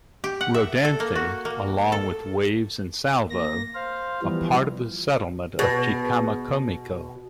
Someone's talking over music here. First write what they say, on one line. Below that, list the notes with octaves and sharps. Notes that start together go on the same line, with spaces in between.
Rodanthe, along with Waves and Salvo, are part of the settlement of Chicamacomico.
G4
F#5
E5
A4
A#3
F#4
A#3
A4
A#3 A#6
C5 F5
E3 F3 G3 B3
B2 G#4 B4